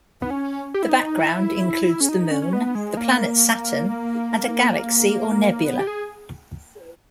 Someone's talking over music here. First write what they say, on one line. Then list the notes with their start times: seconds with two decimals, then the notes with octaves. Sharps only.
The background includes the Moon, the planet Saturn and a galaxy or nebula.
0.22 B3
0.30 C#4
0.74 G4
0.83 E4
0.89 D#4
1.19 E4
2.00 C#4
2.09 D#4
2.31 C#4
2.42 C#4
2.53 B3
2.75 G#3
2.97 A#3
5.65 B3
5.79 G4
5.87 G#4